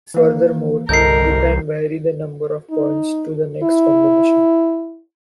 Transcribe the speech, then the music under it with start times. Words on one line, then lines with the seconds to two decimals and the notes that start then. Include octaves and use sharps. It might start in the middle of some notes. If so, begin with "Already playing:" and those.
Furthermore, you can vary the number of points to the next combination.
0.14 E3 A#3
0.89 G1 C2 A4 A#4 D#5 G6 C7
2.71 D#4
3.63 E4